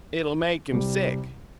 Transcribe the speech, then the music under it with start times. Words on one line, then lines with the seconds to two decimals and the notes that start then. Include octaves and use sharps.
"It'll make him sick."
0.71 C2 C3 G3